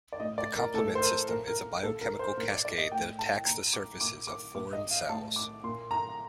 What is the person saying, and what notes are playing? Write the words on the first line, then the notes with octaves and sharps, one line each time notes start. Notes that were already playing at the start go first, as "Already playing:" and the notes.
The complement system is a biochemical cascade that attacks the surfaces of foreign cells.
D5
A2 D#5
D5
A#4
A2 A4
C5
A#4
A#2 A#4
A#4
A#2 A4
A#4
C5
A#2 A#4
D5
D5
D#5
A2 G5
A5
A#2 A#5
D6
A#2 D6
D6
A#2 D6
D#5
F5
A2 A5
D6
A#2 C6
A#5